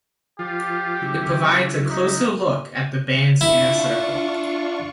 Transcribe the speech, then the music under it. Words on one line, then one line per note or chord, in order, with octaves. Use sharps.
It provides a "closer look at the band's inner circle".
F3 F4 G4
C#3 F#3 E4
D#4
D4 E4 F4 C#6